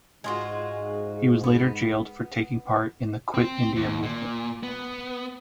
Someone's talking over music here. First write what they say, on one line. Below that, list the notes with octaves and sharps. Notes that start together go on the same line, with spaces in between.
He was later jailed for taking part in the Quit India Movement.
G#2 G#3 F4 F#4
B3
C4
D#2
A#2
B3